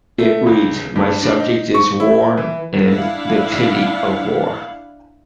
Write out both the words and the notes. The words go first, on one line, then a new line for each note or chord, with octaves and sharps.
It reads: My subject is War, and the pity of War.
A3
C#2
G2
D4
D#4
C#6
E4
E3
D4 E4 F5 F#5